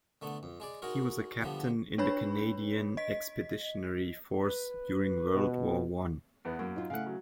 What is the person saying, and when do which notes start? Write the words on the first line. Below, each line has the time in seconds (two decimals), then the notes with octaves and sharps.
He was a captain in the Canadian Expeditionary Force during World War One.
0.22 D3 A3 B3
0.43 F2
0.60 G#3 G#4 D5
0.82 G#3 D#4 F#4 A#4 C#5
1.41 D3 F3 G3 B3
1.98 D4 B4 C#5 B5
2.97 D#5 B6
4.42 B4
5.35 B2
6.45 E2 B3
6.59 F#2 A#3
6.76 D#4 F4
6.90 C#3 A3 F5 F#5
7.06 F#3